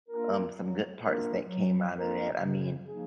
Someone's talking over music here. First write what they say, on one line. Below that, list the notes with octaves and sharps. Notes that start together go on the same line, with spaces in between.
um, some good parts that came out of that. I mean,
A#3 D4 F4 A#4
F#3
A#3 D4 F4 A#4
F#3
A#3 D4 F4 A#4
C#3
F3 A#3 D#4 G#4